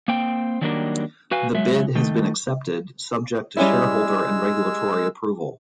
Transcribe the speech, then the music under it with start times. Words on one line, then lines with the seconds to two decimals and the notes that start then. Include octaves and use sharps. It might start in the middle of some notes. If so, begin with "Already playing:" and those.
The bid has been accepted subject to shareholder and regulatory approval.
0.08 A#3 C4 G5
0.61 D#3 F#3 G3 A#3 D4 A#4
1.31 F#4 B4 F5 G#5
1.55 F#3 G#3 E5
1.95 D#3 A3
3.57 G3 G#3 C#4 E4 E6